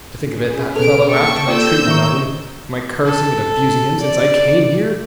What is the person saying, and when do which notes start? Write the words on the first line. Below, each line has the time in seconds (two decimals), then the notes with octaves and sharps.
To think of it—that fellow, after my treatment of him—my cursing and abusing him since I came here!
0.23 C#4 G#4 B4
0.76 B2 A4 F6 D7
1.08 A#3 C5 G5 A5 C#6
1.48 F4 A4 D5 E6 G6
1.87 D#3 E4 G#4 D#5 E5 G#5 A#5 C#6
3.05 A4
4.01 D5